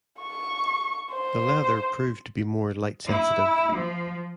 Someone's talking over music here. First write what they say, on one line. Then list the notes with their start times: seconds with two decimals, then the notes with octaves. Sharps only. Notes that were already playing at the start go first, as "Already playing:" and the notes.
The leather proved to be more light-sensitive.
0.21 C#6
1.13 C5
3.07 E4
3.73 F3